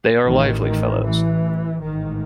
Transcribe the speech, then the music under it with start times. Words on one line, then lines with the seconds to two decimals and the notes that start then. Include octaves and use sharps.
They are lively fellows.
0.24 A1 A2 D#3
0.63 D#3
1.03 E3
1.80 A1 G#2 D#3